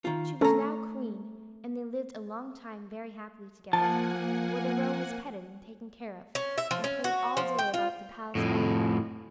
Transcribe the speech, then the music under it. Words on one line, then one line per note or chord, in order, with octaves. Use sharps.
She was now queen, and they lived a long time very happily together; while the roe was petted and taken care of, and played all day about the palace-garden.
D#3 F4
A3 C#4 A4 A#5
F3 A#3 F#5 G#5 A5
C#4
E5
F3
C#4
F#4
F3
G5
F4
F2 A2